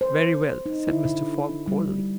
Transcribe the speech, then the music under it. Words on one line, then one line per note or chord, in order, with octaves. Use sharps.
"Very well," said Mr. Fogg, coldly.
C5
D#4
E4
D3
G3